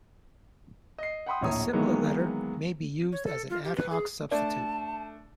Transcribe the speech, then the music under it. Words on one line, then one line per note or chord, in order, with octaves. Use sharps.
The similar letter may be used as an ad-hoc substitute.
D#5 C7
F#5 G5 B5 C6 D#6
D1 A#1 E4 C#5 A#5 D#6
D#3 E3 F#3 G#3 A#3 B3
C#5
A4
F4
G4
B4
G#4
A3 D4 D5 A5